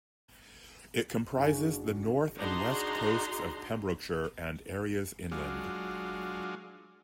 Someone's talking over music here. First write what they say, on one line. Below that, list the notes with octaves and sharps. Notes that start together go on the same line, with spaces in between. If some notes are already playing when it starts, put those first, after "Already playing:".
It comprises the north and west coasts of Pembrokeshire and areas inland.
F#1 D4 C#5
D4 D#4 F#4 G#4 A#5 C6
F#3 G#3 D4 F4